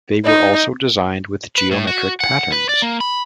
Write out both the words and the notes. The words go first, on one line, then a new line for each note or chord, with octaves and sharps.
They were also designed with geometric patterns.
D#4
B4
A2
F#4
F#5
B4
D5
A#3
B5